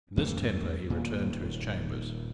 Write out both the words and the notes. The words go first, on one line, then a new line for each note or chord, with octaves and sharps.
In this temper he returned to his chambers.
E2 G2 A3 A#3
D#1 A#2